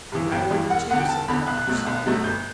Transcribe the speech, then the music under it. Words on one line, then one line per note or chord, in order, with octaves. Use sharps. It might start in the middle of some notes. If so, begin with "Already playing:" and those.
"And I wonder too," said the doctor solemnly.
G2 E3
G1 G5
G2 E3
E1 F#5
E2 D3 F#5
G5
E1 A5
E2 D3 B5
B1 F#6
F#6
B2 F#3 A3
F#6
B1
B2 F#3 A3
G1 G6